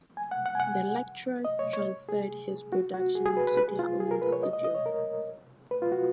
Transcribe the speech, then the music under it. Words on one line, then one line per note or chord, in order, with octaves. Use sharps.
The lecturers transferred his production to their own studio.
G#5
F#5
F#5
G#5
F#5
D#5
C#5
C#5
G#4
F#4
F#4
G#4
G#4
B4
B4
B4
G#4
F4
G#4
A#4
B4
C#5
D#5
D#5
D#5
C#5
A#4
B4
F4
F#4